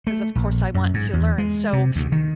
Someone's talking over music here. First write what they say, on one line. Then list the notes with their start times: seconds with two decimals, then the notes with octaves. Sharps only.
of course, I want to learn, so,
0.07 A3
0.35 A#1
0.74 F#2
0.94 G#2
1.13 E2
1.38 G#3
1.73 C3
1.96 D2
2.12 D#3